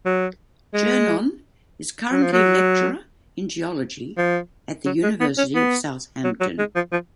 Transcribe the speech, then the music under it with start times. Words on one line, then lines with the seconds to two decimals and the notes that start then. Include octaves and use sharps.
Gernon is currently lecturer in geology at the University of Southampton.
0.06 F#3
0.74 G#3
2.11 F#3
2.22 F3
2.33 F#3
4.18 F3
4.86 F#3
5.03 G#3
5.20 B3
5.38 C#4
5.55 B3
6.24 F#3
6.40 F#3
6.58 G#3
6.76 F3
6.92 F3